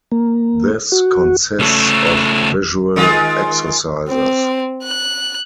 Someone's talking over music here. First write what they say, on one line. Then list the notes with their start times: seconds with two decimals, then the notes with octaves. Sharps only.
This consists of visual exercises.
0.12 A#3
0.92 F#4
1.59 C#3 A3
2.96 D#3 G#3 F4
4.09 C4
4.84 F#6